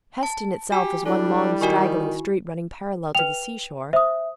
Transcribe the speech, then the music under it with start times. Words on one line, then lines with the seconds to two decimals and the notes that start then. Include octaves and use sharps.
Heston itself was one long straggling street, running parallel to the seashore.
0.23 A5
0.72 F#4 G4 G#5
1.06 G3 D4 E4 A4
1.61 D#3 F#4 G#5 C#6
3.15 B4 G5 F7
3.93 C5 E5 D#6